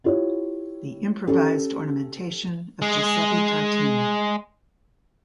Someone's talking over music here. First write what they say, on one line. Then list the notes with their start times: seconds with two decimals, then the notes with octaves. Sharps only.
The Improvised Ornamentation of Giuseppe Tartini.
0.04 E4 F4 G4 C#5
1.27 C#4 G4 A4
2.82 G#3 G#4